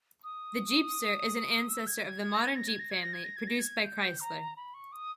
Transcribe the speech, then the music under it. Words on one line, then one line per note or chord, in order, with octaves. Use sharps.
The Jeepster is an ancestor of the modern Jeep family produced by Chrysler.
D#6
E6
G#6
G#6
G#6
A#6
G#6
A#6
G#6
A#6
G#6
A#6
G#6
A#6
G#6
A#6
G#6
G6
A#5
B5
C#6
D#6